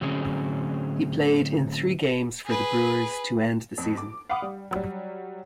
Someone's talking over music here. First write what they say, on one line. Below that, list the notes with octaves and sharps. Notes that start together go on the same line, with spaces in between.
He played in three games for the Brewers to end the season.
A2 D3 F#3 C4 C#4 G#4
G#4 B4
F2
D6
F5 F#5 B5 D6 D#6
G3
F#3 G3